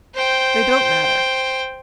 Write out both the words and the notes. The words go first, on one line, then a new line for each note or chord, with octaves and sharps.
They don't matter.
C5 G5